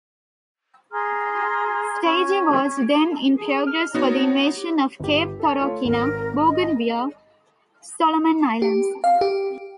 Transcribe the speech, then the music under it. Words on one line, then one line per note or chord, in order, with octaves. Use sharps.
Staging was then in progress for the invasion of Cape Torokina, Bougainville, Solomon Islands.
G#4 A#5 C6 F6
C#4
G#4
F6
B3 D#4 F#4 C#5
G4
G1 G4
A4 A5
A3 F4 C#5
G#1 C4 A#4
D#5
G4
F5
G4